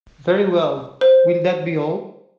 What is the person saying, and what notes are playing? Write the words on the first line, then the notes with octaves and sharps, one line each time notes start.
Very well, will that be all?
C5